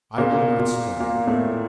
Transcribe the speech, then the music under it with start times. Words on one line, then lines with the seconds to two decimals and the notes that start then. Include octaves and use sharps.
I will not stir.
0.18 A#2 A#3
0.59 A#2 A#3
1.00 A#2 A#3
1.27 A2 A3